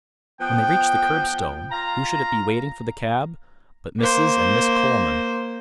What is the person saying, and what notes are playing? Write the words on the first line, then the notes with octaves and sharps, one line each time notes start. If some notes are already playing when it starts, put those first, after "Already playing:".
When they reached the curbstone--who should it be waiting for the cab but Mrs. and Miss Coleman!
F3 B3 G5
F4 F5 A#5
A#3 C5